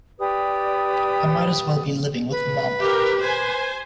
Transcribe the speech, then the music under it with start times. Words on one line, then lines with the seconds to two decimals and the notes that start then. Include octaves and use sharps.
I might as well be living with mama.
0.19 G4 B4 D5 D#6
2.31 B4
2.79 G4 A#4
3.19 C5 G#5